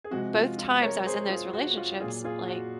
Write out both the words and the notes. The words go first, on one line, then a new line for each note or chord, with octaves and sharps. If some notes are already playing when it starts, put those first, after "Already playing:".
both times I was in those relationships, like,
G#4
C3 F3 G#3 F#4
F4
F4
A#4 C#5
G#4 C5
F4 G#4
F#4
F4
A#2 F#3 F4 G#4
F4 G#4
F#4